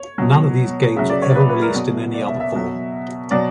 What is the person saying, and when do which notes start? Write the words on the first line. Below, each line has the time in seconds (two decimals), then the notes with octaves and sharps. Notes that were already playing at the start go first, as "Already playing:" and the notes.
None of these games were ever released in any other form.
Already playing: C#5
0.18 B2 F#3
0.96 C#3 F#3 E5
1.10 D5
1.22 C#5
1.35 B4
1.49 B4
1.62 A#4
1.74 B2 F#3
2.14 D5
2.26 E5
2.40 E5
2.54 B2 F#3
3.31 B2 F#3 D5